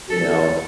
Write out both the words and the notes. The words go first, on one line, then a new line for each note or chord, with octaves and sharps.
you know,
A4